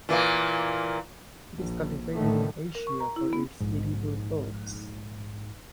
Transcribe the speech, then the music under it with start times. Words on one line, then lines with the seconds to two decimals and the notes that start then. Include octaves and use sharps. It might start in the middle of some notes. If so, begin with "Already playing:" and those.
It is cultivated in Asia for its edible bulbs.
0.09 A#2 E3 A#3
1.55 A#1
2.15 A2 D3 D#3 A3
2.75 A#4
2.87 C#6
3.00 A#5
3.16 E4
3.33 B3
3.60 A#1 G#2